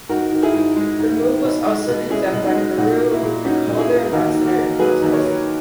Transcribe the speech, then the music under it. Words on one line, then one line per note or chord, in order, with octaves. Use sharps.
The move was also condemned by Peru, who recalled their ambassador in protest.
G#2 F#4 A#4
D#3
E4 G#4
G#2
G#3
G#2
D#3
B2
G#3
B2
C#4 E4 G#4
B2
D#4 F#4
G#3
A#2 D#4 F#4
A#3
E4
A#2
C#4 D#4 F#4
A#2
E4 G#4
A#3
D#2 F#4 A#4
D#3
F#4 A#4
A#3
F#3 G#4 B4
D#2
A#4 C#5
D#3